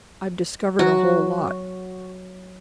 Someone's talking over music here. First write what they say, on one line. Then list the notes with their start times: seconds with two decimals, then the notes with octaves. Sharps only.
I've discovered a whole lot.
0.79 F#3 F#4 A#5